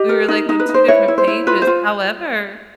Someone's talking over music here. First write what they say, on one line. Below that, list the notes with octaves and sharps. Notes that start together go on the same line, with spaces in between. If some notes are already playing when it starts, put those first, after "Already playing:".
We were, like, on two different pages. However,
Already playing: G4 D#5
A#4
D#4
D#4
B4
D#4
C5
E4 B4 C#5
E4
C5
E4
F4 B4
C5
F4